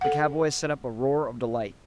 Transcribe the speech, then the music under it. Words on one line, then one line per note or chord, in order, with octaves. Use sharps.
The cowboys set up a roar of delight.
A4 F#5